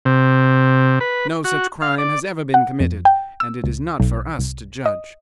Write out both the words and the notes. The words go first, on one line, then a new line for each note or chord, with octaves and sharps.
No such crime has ever been committed, and it is not for us to judge.
C3
B4
F#4
F5
D5
F#5
F2
G5
E6
C#2
B1
C2
D#5